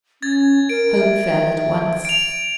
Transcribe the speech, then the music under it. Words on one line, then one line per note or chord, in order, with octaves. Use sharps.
Hope fell at once.
C#4 G#6 A6
A#4 D7
E5
D7 F7